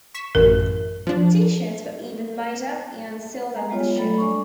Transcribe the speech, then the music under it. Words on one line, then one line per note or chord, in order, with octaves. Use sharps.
T-shirts were even made up and sold at the shows.
C#6 B6 E7
A1 F#2 A#4
F3 D4
G#3 A#5
G3 G#3 B3 F4 C#5
F#3 G3 A3 A4 B5
G#3 D4 D5 C#6